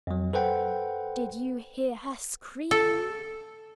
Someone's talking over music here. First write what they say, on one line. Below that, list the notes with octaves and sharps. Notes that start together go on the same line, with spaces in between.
Did you hear her scream?
F2 F#3
A4 B4 C5 F#5 G5
A4